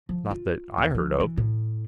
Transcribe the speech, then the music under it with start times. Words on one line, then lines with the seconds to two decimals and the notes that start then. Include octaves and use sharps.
Not that I heard of.
0.09 F3
0.31 F4
0.78 E2
0.95 F3
1.20 E3
1.38 A2